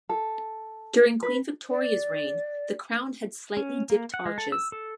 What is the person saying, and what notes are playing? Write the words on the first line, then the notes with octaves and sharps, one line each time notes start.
During Queen Victoria's reign, the crown had slightly dipped arches.
A4
B4
D5
C#4
A#3
F#5
G#3
A4
E6
A4